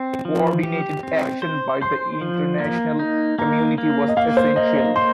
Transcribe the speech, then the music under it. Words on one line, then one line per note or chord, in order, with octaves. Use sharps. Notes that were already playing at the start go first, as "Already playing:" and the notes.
Coordinated action by the international community was essential.
Already playing: C4
F3
G4
C4
C5
C5 C6
F3
A#3
D#4
A#3 A#5
A#3
D#5
A#3 F5
C5
A#3 D#5
D#5
C5 C6